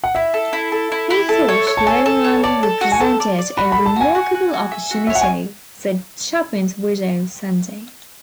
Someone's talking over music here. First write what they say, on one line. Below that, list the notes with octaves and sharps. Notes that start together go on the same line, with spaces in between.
"He thought Long Island represented a remarkable opportunity", said Chapin's widow, Sandy.
F#5
E4 E5
A4
E4
A4
E4
E4
A4
C#5
C#5
A5
A4 G#5
A4
C#5
D5 A5
A4
F#4
G#5
A4 A5
D5
D5
F#4 B5
A4 B5
A5
F#4 G#5
F#4
F#4
F#4
E5
F#4
E5
C#5
F#5
G#5